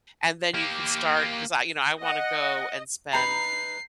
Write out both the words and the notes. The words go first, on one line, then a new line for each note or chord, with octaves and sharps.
and then you can start" 'Cause I you know, I wanna go and spend
A#3 G4
D#5 F#5
D#4 B4 A#5 G6 C7